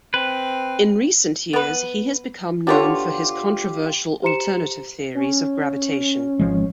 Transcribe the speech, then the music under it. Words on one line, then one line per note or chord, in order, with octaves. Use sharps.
In recent years he has become known for his controversial alternative theories of gravitation.
C4 B4
B3 B4
D3 B3 F4 G4 C#5
G4 C5 A#5 C6 C#7 E7
C#4
G#1 F3 G#3